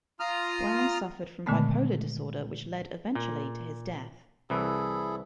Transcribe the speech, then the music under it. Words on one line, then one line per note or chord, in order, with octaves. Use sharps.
Brown suffered from bipolar disorder which led eventually to his death.
F4 A#5 D#6 F6
A#2 D3 D#3 G#3 A3 B3
A#2
C2 E3 E4 G#4 A4